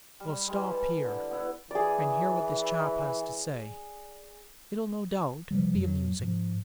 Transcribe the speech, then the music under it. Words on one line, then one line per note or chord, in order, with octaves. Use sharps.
"Well, stop here, and hear what this chap has to say: it'll no doubt be amusing."
G3
E3 G3 G#3
A5
D3
B3 E4 F#5
E3 G#4 D5
C3 F3 G3
F2 F#3
G#2 F3